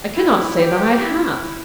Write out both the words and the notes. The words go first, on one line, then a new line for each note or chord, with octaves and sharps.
I cannot say that I have.
E4
G4
E4